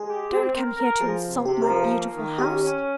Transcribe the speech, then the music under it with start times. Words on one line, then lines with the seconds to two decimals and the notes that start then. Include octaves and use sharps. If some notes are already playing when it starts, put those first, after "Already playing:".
Don't come here to insult my beautiful house.
Already playing: G#3 G#4
0.09 G4
0.32 C4
0.55 A#4
0.77 A#4
1.00 F3 G#4
1.23 C3
1.45 C3 G4
1.62 A#4
1.68 F3
1.76 A#4
1.91 A#3
2.15 D#3
2.38 C#4 G4
2.61 C#4